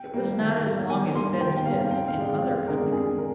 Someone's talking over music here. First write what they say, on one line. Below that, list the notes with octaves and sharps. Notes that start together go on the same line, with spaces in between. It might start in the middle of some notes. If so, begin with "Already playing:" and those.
It was not as long as bedsteads in other countries.
Already playing: G5
G3 A#3
D#3
G3 A#3
D#3 G#5
G3 A#3 C6
D#3 G5
G5
G3 A#3 F5
F2 G5
F5
D3 G#3 D4
G5
F2 D5
D3 G#3 D4 A#4
F2 G#4
D3 A#4